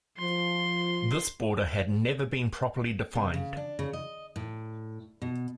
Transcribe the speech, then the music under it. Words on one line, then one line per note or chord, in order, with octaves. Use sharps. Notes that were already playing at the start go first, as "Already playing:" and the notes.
This border had never been properly defined.
F3 C6
C3
C#3
D4
C#3
D#5
A2
B2